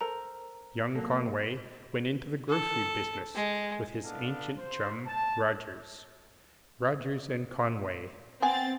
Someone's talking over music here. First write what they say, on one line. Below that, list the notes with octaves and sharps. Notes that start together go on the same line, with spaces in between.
Young Conway went into the grocery business with his ancient chum, Rodgers--RODGERS & CONWAY!
A4 A#4 C5 A#5
F#3 A#3 A4
A4
G#3
B3 D4 A4 F5
C5
A5
B3 C4 G#5 A6